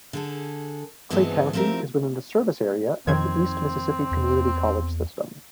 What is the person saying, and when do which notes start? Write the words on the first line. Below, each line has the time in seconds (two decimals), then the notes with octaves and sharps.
Clay County is within the service area of the East Mississippi Community College system.
0.13 D3 G#4 A4
1.10 G2 B2 E3 G#3 B3 C4
1.53 F3 A3 C4 G4 A#4
3.07 F2 D#3 C4 G#6
4.11 E2